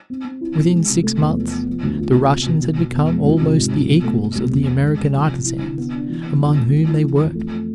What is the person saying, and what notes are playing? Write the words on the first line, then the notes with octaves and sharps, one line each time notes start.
Within six months the Russians had become almost the equals of the American artisans among whom they worked.
C4
C4
E4
B2
G#3
C3
A3
E2
F3
B3
F3
D2
F4
C3
B2
B2
B2
B2
E2
G#3
F2
C3
G#2
F3
B2
A3
B2
C2
E2
B3
G#3
C3
F3
C3
E4
D3
B3
D4
E3
B3
F2
A3
D3
E4
E3
F2
A3
A3